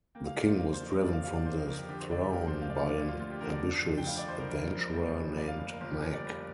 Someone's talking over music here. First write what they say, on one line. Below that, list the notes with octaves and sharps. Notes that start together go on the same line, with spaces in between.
The king was driven from the throne by an ambitious adventurer named Mack.
A#3 G5
F5
A#3 D5
C5
A#3 F5
C5
F2
A#4
F2 D5
F5
C3 F5
D5
F2 C5
A#4
F2 A#4
G4
D3 G4
C5
D3 D5
G4
D2 A#4
C5
A#3
F5
D5
D2 F5
D5
D2
F4
D2 F4
G4
D3 A#4
D5
F3
F2
G5
F1 F5
D5
F2 C5
A#4
F2 A#4
F3
F1
F2
A#3 D5
F5
G1
A#4
G1 F4
G4
G1 A#4
D5
G2